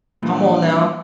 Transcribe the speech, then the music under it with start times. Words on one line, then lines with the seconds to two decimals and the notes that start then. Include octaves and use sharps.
Come on, now.
0.23 G2 A#2 E3